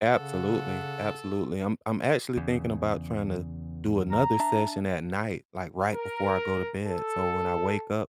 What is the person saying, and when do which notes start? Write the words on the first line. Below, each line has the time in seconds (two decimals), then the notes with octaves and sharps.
Absolutely, absolutely. I'm I'm actually thinking about trying to do another session at night, like, right before I go to bed so when I wake up,
0.12 C#3 A4 F#5
2.38 E2 C#3
4.11 A#5
4.40 D4 E5 A5
5.92 A#4
6.83 A4